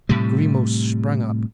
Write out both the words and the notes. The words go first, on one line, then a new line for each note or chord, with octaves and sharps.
Grimaud sprang up.
A2 C3 G3